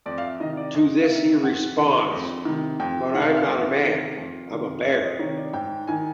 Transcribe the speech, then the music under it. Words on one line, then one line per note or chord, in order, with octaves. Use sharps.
To this he responds, "But I'm not a man, I'm a bear".
F2 D5
F5
E5
C3 D#3 D#5
D#5
D5
F2 D#5
F5
C3 D#3 E5
F2 F#5
C3 D#3
F2
C3 D#3
F2 G5
C3 D#3 F5 F#5
E5
F5
F2 E5
C3 D#3 F5
F2
C3 D#3
F2 E5
D#5
C3 D#3 C#5
D5
G#2 G5
D#3 G#5